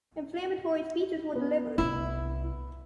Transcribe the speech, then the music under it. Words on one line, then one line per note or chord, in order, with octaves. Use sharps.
Inflammatory speeches were delivered.
B3
C2 G3 E4